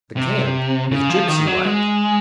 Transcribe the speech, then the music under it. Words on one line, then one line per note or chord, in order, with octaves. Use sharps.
The camp is gypsy-like.
C3
C#3
F3
D#3
F#3
G#3